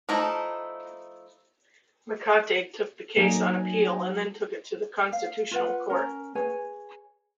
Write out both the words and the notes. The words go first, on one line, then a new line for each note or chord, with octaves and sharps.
Makate took the case on appeal, and then took it to the Constitutional Court.
F3 A3 D#4 E4
F#3 A#3 D#4 A4 A#4 D5 G#5
F5
F4 B4 F#5
C#4 A#4
G#4 B4 C#5 G#5